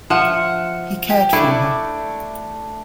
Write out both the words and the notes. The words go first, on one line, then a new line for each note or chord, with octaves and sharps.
He cared for her.
F3 E5 F#5
G4
A3 D4 E4 D6